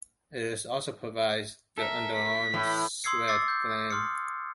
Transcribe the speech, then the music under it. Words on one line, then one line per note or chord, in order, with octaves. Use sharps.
It also provides the under-arm sweat gland.
A4 A#4 E5
B6
A2 E3 E4
C6 D#6 E6 G#6 C7 C#7
D6 E6 A6 C7 C#7
G6
C6 D#6 F6 C#7